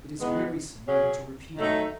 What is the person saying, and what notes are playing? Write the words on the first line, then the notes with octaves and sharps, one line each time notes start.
It is wearisome even to repeat it all!
D#3 G#3 B3 E4
F#3 C#4 G#4 C#5
D#3 F#3 A3 D#4